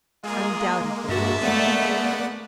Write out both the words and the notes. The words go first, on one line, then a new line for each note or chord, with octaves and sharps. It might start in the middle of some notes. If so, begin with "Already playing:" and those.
"Undoubtedly," said Charles.
G#3 A#3 F4 G#4
G2 F#4 E5 A5
A3 B3 D5 F#5